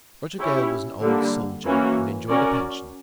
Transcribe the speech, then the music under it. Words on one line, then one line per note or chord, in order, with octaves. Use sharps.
Roger Gale was an old soldier, and enjoyed a pension.
C#4 E4 G4 C#5
D3 G3 A#3
E3 A#3 C#4 F#4
C#4 F#4 A#4 D5